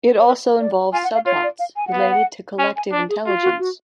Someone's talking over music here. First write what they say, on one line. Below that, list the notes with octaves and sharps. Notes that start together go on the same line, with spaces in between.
It also involves subplots related to collective intelligence.
C#5
B4
D5
F4 G#5
F#5
F5
F4 C#5
D5
F5
G#5
F#5
B3
F5
F#5
C#4 G#5
G#5
D4 D5
G#4
F4 F#4
F#4
F#4